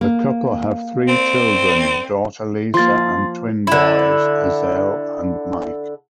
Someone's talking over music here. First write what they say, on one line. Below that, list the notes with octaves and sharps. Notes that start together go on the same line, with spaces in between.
The couple have three children, daughter Lisa and twin boys, Azelle and Mike.
A#3
C4
F3 A#3 C6 A6
D3 E4